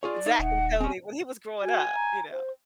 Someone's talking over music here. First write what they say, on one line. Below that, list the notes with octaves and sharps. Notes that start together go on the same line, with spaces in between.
Zack and Cody," when he was growing up, you know?
F4 G#4 C#5 D5
D#4 C#5 E5
D#1 F#5
C4 C#4 G#5
F#4 G#5
A#5
C5